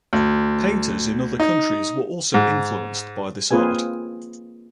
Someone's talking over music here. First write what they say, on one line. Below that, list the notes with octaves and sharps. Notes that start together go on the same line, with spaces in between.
Painters in other countries were also influenced by this art.
D2
D#4
G#2
A#3 C4 F4 G#4 B4 G#5